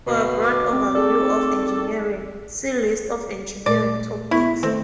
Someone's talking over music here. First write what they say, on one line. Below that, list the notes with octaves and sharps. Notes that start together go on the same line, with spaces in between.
For a broad overview of engineering, see List of engineering topics.
D2 B2
D6
C4
D#3 A3 G#4 A4 D5
A#2 A3 A#4 D5
B3 E4 C#6
D#3 A3 C4 A4